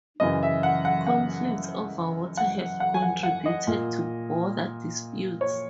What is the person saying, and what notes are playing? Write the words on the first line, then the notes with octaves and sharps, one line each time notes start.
Conflicts over water have contributed to border disputes.
F#2 C#3 E3 D#5
E5
F#5
F#5
F#5
F#5
F#5
G#5
F#5
F#5
D#5
A#2
C#5